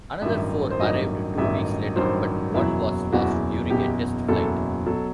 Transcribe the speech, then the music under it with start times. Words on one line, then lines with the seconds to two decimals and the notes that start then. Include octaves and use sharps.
Another four arrived two weeks later, but one was lost during a test-flight.
0.22 A1 G2 D#3 F#3 E5
0.71 C5
0.80 A1 G2 D#3 F#3 D#5
1.38 A1 G2 D#3 F#3 E5
1.96 A1 G2 D#3 F#3 C5
2.54 F#1 E2 B2 F#3 E4
3.12 F#1 E2 B2 F#3 F#4
3.70 F#1 E2 B2 F#3 G4
4.28 F#1 E2 B2 F#3 A4
4.86 B2 F#3 A4